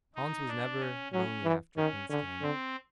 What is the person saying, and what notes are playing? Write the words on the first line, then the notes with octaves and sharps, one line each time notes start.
Hans was never lonely after Prince came.
D#4
D4
C#4
F#3 C#4
E3
D#3 C#4
D3 C#4
D3 C4